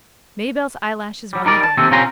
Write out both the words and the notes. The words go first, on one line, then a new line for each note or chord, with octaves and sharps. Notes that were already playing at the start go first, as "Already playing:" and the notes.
Maybelle's eyelashes won the day.
F#3 G3
G3 D#4 A#4 D5
A5
D#2 C3 C4 A4
C3 C#4 F4 G5 A#5 C6